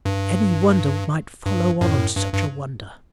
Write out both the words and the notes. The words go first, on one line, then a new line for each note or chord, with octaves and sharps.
Any wonder might follow on such a wonder.
G2
G2
F#2 A2
G2
G2